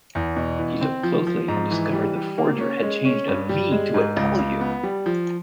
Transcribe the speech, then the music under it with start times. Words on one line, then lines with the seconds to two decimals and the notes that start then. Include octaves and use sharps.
He looked closely and discovered the forger had changed a V to a W.
0.15 E2
0.36 B2
0.59 E3
0.81 C4
1.03 F3
1.27 F3
1.48 G#2
1.71 E3
1.93 G3
2.16 G3
2.38 A#3
2.60 C#4
2.82 G#3
3.05 C#4
3.28 G2
3.49 G3
3.71 G#3
3.94 G#2
4.16 C#2
4.38 C#2
4.61 B3
4.83 G3
5.06 F3